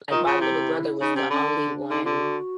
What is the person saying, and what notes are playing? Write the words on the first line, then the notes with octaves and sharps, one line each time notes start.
like, my little brother was the only one
D#3 F4
C#3
C3 E4
C#3 D#4
C3 C#4
D3 C#4
D4
D4
D3 D#4
D3 F4
F#4